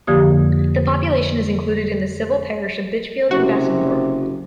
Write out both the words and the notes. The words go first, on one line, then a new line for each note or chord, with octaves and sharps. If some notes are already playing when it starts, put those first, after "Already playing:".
The population is included in the civil parish of Bitchfield and Bassingthorpe.
F2 D3 F3 A#3 G4 D#6
F#1 C3 F#4